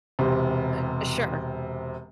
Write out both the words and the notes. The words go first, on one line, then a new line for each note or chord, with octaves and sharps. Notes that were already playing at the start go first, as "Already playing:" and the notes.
Eh sure.
E1 C3